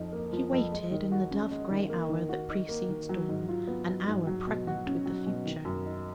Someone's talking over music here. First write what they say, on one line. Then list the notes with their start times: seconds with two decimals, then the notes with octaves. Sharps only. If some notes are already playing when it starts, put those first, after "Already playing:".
She waited in the dove-grey hour that precedes dawn--an hour pregnant with the future.
Already playing: F2 F3 D#4
0.12 A#3
0.33 F3
0.52 F2
0.72 G#3
0.91 D#3
1.12 F#4
1.31 C#4
1.51 G#3
1.71 D#3
1.90 A#3
2.09 D#3
2.29 F#4
2.50 D#4
2.69 A#3
2.89 D#3
3.09 F#3
3.29 G#2
3.49 F4
3.67 B3
3.88 F#3
4.08 G#2
4.27 F#3
4.47 B2
4.67 F#4
4.87 C#4
5.06 F#3
5.26 B2
5.46 D#3
5.65 F#2
5.86 D#4